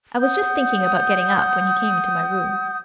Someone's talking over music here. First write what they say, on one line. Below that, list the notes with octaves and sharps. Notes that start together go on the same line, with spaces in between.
I was just thinking about getting up when he came into my room.
F#5 D#6 G6